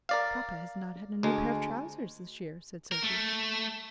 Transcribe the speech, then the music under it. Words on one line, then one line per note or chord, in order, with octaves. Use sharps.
"Papa has not had a new pair of trousers this year," said Sophy.
A#4 D5 F5
D2 G#3
A#4
A3